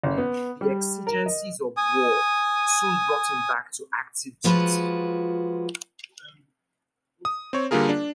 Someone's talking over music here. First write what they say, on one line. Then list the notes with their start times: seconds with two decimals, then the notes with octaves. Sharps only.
The exigencies of war soon brought him back to active duty.
0.03 F#1
0.18 B3
0.61 G3
1.07 A#4
1.26 D#5
1.77 G#5 D#6
4.44 F3 G#3 F4 F#4 B4
7.25 D#6
7.53 C4 C#5
7.71 D3 G3 A#3 F4 G#4 A#4
7.89 D4